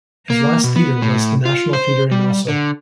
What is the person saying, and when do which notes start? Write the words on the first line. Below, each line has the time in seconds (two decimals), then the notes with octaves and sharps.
His last theater was the National Theater in Oslo.
0.30 A#3
0.64 B2
0.76 B3
1.02 A2
1.45 F4
1.73 C5
2.12 G3
2.48 D3